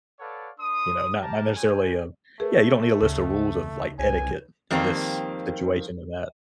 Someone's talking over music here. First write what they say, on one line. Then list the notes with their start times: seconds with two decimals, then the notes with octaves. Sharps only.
you know? Not not necessarily, um yeah, you don't need a list of rules of, like, etiquette in this situation than that.
0.19 A4 B4 C#5 D5 F5 F#5
0.58 D4 A#4 C6 D#6
1.21 G4 A#4 A5
1.55 G3 G#3 C#4 G5 G#5
2.40 A3 G#4 A#4 B4
3.01 D2 C#3 D#4
3.99 C2 B4 C#5 G#5
4.70 F2 D#3 G3 A#3 C4